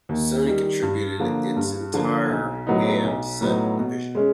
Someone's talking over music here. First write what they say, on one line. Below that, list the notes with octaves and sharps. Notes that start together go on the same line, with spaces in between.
Sony contributed its entire handset division.
D#2
D#3 G3
G2
D3 F3 A#3
G2
D3 F3 A#3
B1
A2 F#3 B3 D#4
B1
A2 F#3 B3 D#4
B2
G#3 C#4